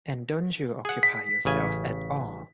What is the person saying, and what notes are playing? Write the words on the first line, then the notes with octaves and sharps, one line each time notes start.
And don't you occupy yourself at all?
G#4 F#5
B6
A1 C#3 G#5